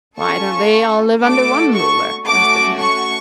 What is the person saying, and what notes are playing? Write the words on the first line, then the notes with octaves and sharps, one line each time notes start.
"Why don't they all live under one ruler?" asked the King.
C#4 F4 A4 C#6
A3 D4 F#4 A4 D6
C#6
A3 C#4 F#4 D6
C#6